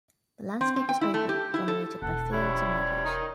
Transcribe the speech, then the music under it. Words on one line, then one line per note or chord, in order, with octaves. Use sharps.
The landscape is open, dominated by fields and meadows.
C4
C4
G5
E4
A3
G4
E4
A4
E1 A4 F#5
F#2 F3 G3 E4 C#5
D#3 D#4